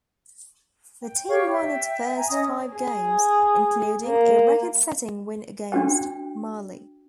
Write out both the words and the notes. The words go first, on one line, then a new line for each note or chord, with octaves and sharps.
The team won its first five games, including a record-setting win against Mali.
G5
G4 C#5 F5 C#6
E5 G5
G#5 A#5
C#4 D#5 D#6
G#4
A#3
D4 F#4 G5